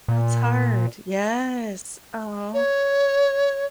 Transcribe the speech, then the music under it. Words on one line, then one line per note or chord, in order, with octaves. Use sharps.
That's hard. Yes. Aw.
A#2
C#5